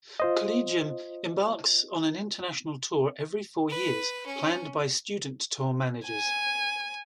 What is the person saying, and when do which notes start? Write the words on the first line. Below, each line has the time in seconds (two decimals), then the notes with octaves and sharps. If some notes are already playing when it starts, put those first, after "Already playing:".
Collegium embarks on an international tour every four years, planned by student tour managers.
0.20 F4 C5 D#5
3.69 B4
4.26 C#4
6.06 G#5